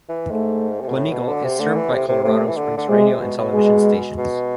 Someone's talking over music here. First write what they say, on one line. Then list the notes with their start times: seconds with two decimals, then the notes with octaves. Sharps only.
Gleneagle is served by Colorado Springs Radio and Television stations.
0.09 E3
0.31 G#2 A3
0.81 C3
0.88 B2
0.96 A2
1.12 B2
1.28 D3
1.44 C3
1.60 D3 A3
1.76 E3
1.92 C3
2.08 C3
2.24 C3 A3
2.47 E3
2.57 D3
2.78 D3
2.89 C3 G#3
3.05 C3
3.21 B2
3.38 B2
3.53 G#3
4.17 B2